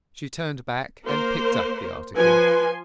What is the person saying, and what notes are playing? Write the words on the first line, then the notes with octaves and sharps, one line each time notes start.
She turned back and picked up the article.
A#3 A#4 C5
F3 B4 G#5 C6